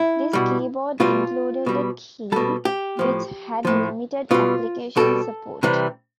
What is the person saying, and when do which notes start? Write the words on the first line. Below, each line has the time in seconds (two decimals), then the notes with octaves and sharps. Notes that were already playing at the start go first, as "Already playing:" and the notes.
This keyboard included a key which had limited application support.
Already playing: E4
0.33 B2 G3
1.00 B2 G3 F4
1.66 B2 G3
2.32 B2 G3 A4
2.65 G4
2.99 A2 F3
3.65 A2 F3
4.31 B2 G3 F4
4.97 B2 G3 A4
5.63 C3 E3 G3